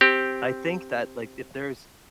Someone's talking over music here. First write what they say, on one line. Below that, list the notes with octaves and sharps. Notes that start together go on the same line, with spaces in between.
I think that, like, if there's
C4 G4